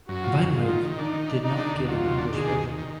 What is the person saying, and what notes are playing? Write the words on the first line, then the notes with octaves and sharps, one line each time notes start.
Weinreich did not give an English version.
F#2 F#4
F3
F#2
G#2 F4
D#3
D#3
D4 D#4
D#3
D4
D4 D#4
D3
D#2
F#3 F4
D#2
D4
D#3 G#4
D#2
D#2
D#3